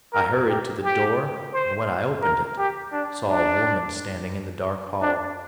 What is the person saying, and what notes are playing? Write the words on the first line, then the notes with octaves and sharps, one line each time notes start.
I hurried to the door and when I opened it saw a woman standing in the dark hall.
A#4
G4
G4
C5
A#4
G4
D4
D4
D4